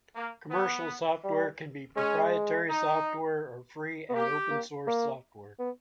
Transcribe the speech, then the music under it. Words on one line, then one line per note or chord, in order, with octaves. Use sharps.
Commercial software can be proprietary software or free and open source software.
A#3
B3
G3
G#3 C#4
D#4
B3
A#3 G4
A#3
A#3
B3